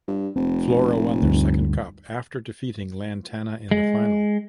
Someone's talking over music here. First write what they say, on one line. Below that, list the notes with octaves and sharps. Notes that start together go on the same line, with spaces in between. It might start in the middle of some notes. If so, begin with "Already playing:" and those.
Flora won their second cup after defeating Lantana in the final.
G2
F1 C4
D2 G2
G#3